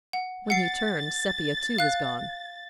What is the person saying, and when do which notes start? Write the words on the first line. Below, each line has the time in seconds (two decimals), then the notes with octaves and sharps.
When he turned, Sepia too was gone.
0.13 F#5
0.50 F#5 A6 C7
1.78 F5 F#6